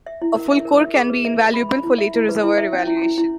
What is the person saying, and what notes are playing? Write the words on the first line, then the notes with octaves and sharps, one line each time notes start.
A full core can be invaluable for later reservoir evaluation.
E5
E4
A#4
E5
A#4
E5
G#4
B4
E5
B4
B5
B5
E4
E5
E4
B4
E4
E5
C#4
E4
E4
E4